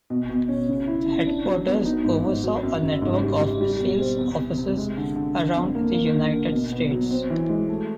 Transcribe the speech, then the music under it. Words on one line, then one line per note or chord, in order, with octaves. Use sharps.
The headquarters oversaw a network of sales offices around the United States.
B2
B2
C#4
C#3
E4
C#3
D4
F#3
B3
D#4
G#2
G#2
F#3
F#2
C#3
G#2
G3
G3
G3
B2
C4
E2
C3
C3
G#3
D3
D3
D3
F2
A#3
A#3
D3
D3
B2
B3
F#3
C4
E3
G#3
A3